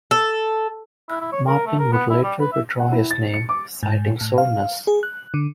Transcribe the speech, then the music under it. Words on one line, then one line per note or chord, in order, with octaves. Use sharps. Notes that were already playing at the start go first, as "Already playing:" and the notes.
Martin would later withdraw his name, citing soreness.
A4
E4
E4
C#5
A#4
A3
A#4
B3
E4
G3
B4
E5
F#5
E4
A6
C#7
D6
G#2
A2
F5
G#4
F#6
D3